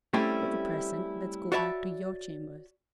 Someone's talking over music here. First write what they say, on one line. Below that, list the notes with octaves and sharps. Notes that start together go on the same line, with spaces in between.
For the present let's go back to your chambers.
G3 A3 C4 C#4 E4 G4
F#4 C#5 D5 E5 A5 B5